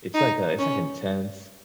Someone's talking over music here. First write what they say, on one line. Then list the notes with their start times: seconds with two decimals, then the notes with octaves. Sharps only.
it's, like, a it's like intense,
0.14 D#4
0.59 C#4